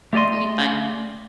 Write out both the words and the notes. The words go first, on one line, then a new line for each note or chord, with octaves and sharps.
it'll be fun.
A3 G4 D5 D#5 C6